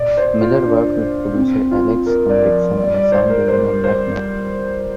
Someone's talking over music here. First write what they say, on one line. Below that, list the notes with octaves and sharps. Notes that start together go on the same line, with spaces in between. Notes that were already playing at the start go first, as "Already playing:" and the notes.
Miller worked with producer Alex Henriksson and sound engineer Matt Neighbour.
Already playing: A#2 D5
C5
F4
D4
C4
F4
A#4
D5
F3
G3 D5
D5
C5
A#4
G3 C5
C5